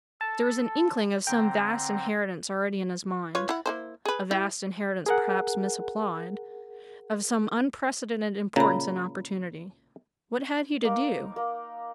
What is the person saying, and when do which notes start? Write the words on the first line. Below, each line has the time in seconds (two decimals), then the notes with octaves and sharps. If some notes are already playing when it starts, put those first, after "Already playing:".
There was an inkling of some vast inheritance already in his mind--a vast inheritance perhaps misapplied--of some unprecedented importance and opportunity. What had he to do?
0.21 A4 A5
1.27 D3 C4 G5 A#5
3.35 F4 B4 C#5
3.49 E4 F#5
3.66 A#3 E4 C5
4.05 G#4 B4
4.31 E4 G4
5.06 G#4 A#4 F#5
8.56 A#2 C#3 A#5 B5
10.83 A#3 D#4
11.36 A#3